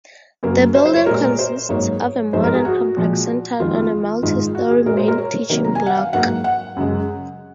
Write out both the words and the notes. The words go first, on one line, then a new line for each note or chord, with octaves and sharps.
The building consists of a modern complex centred on a multi-storey main teaching block.
F#2 C#3 F#3 A#3
C5
C5
C#5
A#2 G#3 A#4
C5
G#2 F#3 A#3 C#5
G#2 F3 G#3 C5
A#4
G#4
F#4
A#2 F3 G#3
F2 D#3 G#3 F4
F4
G#2 D#3 G#3 F4
F#4
G#4
A#2 G#3 A#4
C5
A#4
C#5
C3 D#3 F#3 A#3
A#5
G#5
F#5
F5
G#2 F#3 A#3 F#5
F#5
F#2 C#3 G#3